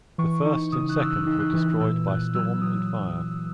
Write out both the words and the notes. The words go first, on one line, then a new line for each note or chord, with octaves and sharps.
The first and second were destroyed by storm and fire.
E3 C#6
D#4 C#6
C#3 D#6
F#6
C#3 E6
D#4
E6
F#6
E3
A#2 E6
A#2 F#6
F#3 E6
F#3 D#6